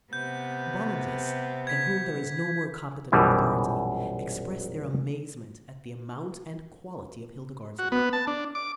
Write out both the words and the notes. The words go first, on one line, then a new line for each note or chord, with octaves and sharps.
The Bollandists, than whom there is no more competent authority, express their amazement at the amount and quality of Hildegard's work.
C3 B3 G6
G#6 B6
A#1 F#2 B2 E3 G3
F#4
B3
A5
D4
D6